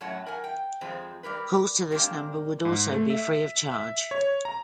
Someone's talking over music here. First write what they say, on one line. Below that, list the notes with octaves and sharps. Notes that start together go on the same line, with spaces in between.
Calls to this number would also be free of charge.
F#2 A2 F#3 C#5 F#5 A5
A#4 F#5 G#5
G5
F2 F3 G#3 C4
G3 G4 A#4 B4
G#3 A#3 C4 D4 G4 A#4
G#2
A3
E5
E5
C#5
A#5